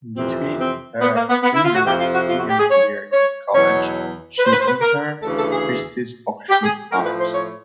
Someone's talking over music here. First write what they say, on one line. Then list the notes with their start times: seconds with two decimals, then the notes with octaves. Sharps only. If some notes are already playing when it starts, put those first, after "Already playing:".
Between her junior and senior year in college she interned for Christie’s auction house.
0.17 F2 C3 E3 C4
0.59 C4
1.01 B3
1.15 A#3
1.29 B3
1.43 B3
1.54 E4
1.65 F4
1.75 F#4
1.85 F2 C3 F3 G4
1.99 F4
2.13 F#4
2.28 F4
2.38 F#4
2.49 G4
2.59 G#4
2.70 C#5
3.12 C#5
3.54 E2 B2 F#3 C#5
4.39 B4
4.45 C5
4.53 B4
4.60 C5
4.67 B4
4.81 A#4
5.23 D2 C#3 E3 A4
5.37 A4
5.51 G#4
6.49 G4
6.64 G#4
6.92 A2 F3 A#4
7.06 B4
7.20 C5
7.34 C#5